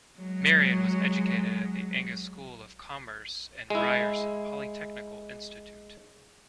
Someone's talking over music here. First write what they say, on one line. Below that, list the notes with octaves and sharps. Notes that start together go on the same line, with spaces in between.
Marion was educated at the Angus School of Commerce and Ryerson Polytechnical Institute.
F#3 G#3
G#3 E4